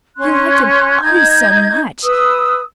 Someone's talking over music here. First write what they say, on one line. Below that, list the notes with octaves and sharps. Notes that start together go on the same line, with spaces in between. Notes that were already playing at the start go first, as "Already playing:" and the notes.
He liked them,--oh, so much!
C#4 C6 F#6
D#4 D#5 G6 G#6
B4 D#6 E6